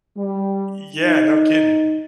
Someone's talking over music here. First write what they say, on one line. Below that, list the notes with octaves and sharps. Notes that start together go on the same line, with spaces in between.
Yeah, no kidding.
G3
D#4